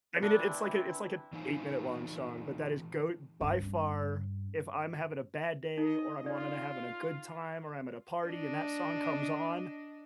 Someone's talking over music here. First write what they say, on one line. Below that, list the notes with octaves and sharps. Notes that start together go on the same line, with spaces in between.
I mean, it it's like a it's like a eight-minute-long song, but that is GOAT by far. If I'm having a bad day or I'm wanting to having a good time or I'm at a party and that song comes on,
E3 C4 D4 E4
A#2 E3 D#4 C5 F5 G#5
G2 C#4
D#4 D#5
F4 A4 D5
D4 D#5